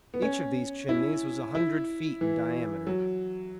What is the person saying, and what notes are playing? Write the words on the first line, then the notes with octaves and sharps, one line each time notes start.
Each of these chimneys was a hundred feet in diameter.
B3
C#4
E4
E4
E3
F#3